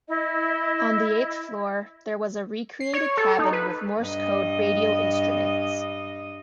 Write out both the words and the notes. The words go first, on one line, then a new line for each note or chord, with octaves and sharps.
On the eighth floor there was a recreated cabin with Morse code radio instruments.
E4 D#5
C7
C#5
A4
D#4
B4
G2 D#5